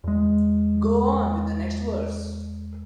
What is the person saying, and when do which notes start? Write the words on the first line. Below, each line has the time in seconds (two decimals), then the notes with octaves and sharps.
Go on with the next verse.
0.04 E2 G#3